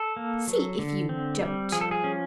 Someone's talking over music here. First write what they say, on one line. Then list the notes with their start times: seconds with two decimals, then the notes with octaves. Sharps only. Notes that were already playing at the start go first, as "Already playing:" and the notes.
See if you don't.'
Already playing: A4
0.16 A#3
0.48 F#3
0.79 D3
1.09 C4
1.42 G3
1.72 F3 G#4
1.81 A4
1.91 G#4
2.04 C#4